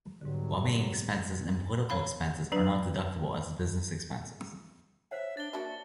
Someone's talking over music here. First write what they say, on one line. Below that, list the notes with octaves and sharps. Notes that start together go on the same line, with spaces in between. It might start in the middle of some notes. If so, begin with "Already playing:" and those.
Lobbying expenses and political expenses are not deductible as business expenses.
B1 G#2 D3 F#3 G3
C#5 F5 B5
F#3 D4 B4
C5 C#5 E5 F#5
D4 A6 G7
A#3 D4 F#4 E5